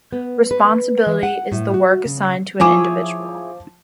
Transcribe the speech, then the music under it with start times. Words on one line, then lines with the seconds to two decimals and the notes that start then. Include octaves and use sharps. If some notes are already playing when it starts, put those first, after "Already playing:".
Responsibility is the work assigned to an individual'.
0.12 B3
0.51 B4
1.06 E3
1.23 F#5
1.52 A2
1.74 F#4
2.05 C#3
2.60 F3 E4 G#4 C#5 D6